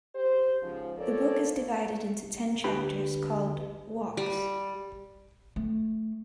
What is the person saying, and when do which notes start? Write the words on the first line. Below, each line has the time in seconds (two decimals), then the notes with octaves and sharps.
The book is divided into ten chapters called "Walks".
0.15 G4 C5
0.62 G#2 C#3 F3
0.98 F3 C4 A4 A#4 C#5 D5
2.64 D2 D4 G4 B4 G5 B5
4.17 G3
5.56 A3